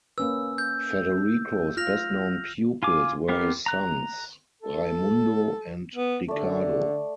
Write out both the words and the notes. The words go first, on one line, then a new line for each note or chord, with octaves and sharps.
Federico's best-known pupils were his sons, Raimundo and Ricardo.
A#3 C#4 B4 E6
G6
F4 F6 A#6 F7
F4 G#5 D6
B3 C4 G4 A#4
A#5 F#6
A4
B3
D3 A3 D5